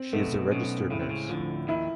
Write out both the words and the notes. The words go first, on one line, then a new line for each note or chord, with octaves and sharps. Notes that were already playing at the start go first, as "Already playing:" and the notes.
She is a registered nurse.
Already playing: C4
B1 B2 A3
B1 B2 C#4
A2 C#3
C3
C#2 C#3
D2 D3 F3
D#2 D#3 E4